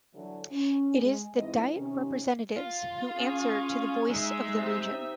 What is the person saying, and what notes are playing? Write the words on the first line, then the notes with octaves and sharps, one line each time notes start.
It is the Diet representatives who answer to the voice of the region.
D3 E3 F#3
C#4
G#3
G#2 E3 C4 D#5
C3 D#3 C#4
F4
C#4 G#4
G#3 D#4 E5
C3